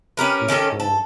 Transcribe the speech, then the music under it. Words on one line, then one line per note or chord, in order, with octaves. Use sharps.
That's cool.
C#4 G4 A#4 B4
D#3 C#4 G4 A4
A4